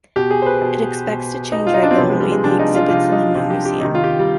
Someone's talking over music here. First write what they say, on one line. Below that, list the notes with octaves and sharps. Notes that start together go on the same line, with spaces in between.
It expects to change regularly the exhibits in the new museum.
B2 G4
G#4
C5
B4
B2
B2
B2 D#4
F4
D#4
D4
C4
C3 F3 B3
G#3
G3
G#3
C3 F3 D4
D#4
F4
C3 F3 F4
D#4
C3 F3 F4
G4
G4
C3 D#3 D#4
F4
G4
G3